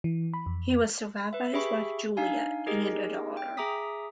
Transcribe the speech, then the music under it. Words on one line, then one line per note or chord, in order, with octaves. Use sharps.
He was survived by his wife, Julia, and a daughter.
E3
B5
F2
B4 E5
G4 G#4 E5 B5 C#6
D4 D#4 F5 G#5
D#4 G4 G#4 A#4 D#5
G5
G#4 E5 A#5 D6 D#6 B6